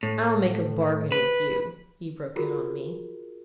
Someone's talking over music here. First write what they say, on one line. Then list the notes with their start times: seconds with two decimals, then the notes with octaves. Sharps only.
"I'll make a bargain with you," he broke in on me.
0.03 A2
1.12 B4
2.36 F4 F#4 G#4 A#4